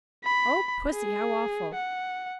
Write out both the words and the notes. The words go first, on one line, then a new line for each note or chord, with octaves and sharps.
'Oh, Pussy, how awful!
B5
G#4
F#5